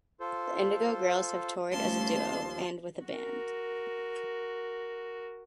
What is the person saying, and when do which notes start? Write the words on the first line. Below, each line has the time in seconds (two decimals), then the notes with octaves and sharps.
The Indigo Girls have toured as a duo and with a band.
0.20 F4 A4 C5
1.70 D#2 F3 G3 A3 C#4 A5 C6
3.06 F#4 A#4